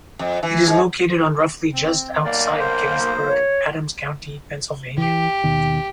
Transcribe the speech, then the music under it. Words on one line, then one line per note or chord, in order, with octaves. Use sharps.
It is located on roughly just outside Gettysburg, Adams County, Pennsylvania.
F2
E3
G#2
C4
B1 A#3 D5
C5
C#5
E3 G4
D#2 B2 D#3